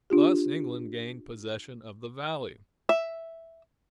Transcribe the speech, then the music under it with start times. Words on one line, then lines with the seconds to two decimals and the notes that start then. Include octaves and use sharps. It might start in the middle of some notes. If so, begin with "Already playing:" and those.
Thus England gained possession of the valley.
0.10 D4 F4 G4
2.89 E5